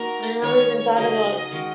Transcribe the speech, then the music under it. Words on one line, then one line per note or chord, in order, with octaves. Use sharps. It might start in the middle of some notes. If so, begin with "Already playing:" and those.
I never even thought about
Already playing: A#3 D#4 F#4 A#4
D#3 G#3 C#4 C#5
C#3 F#3 D#4 G#4 D#5
D#3 G#3 F#4 A#4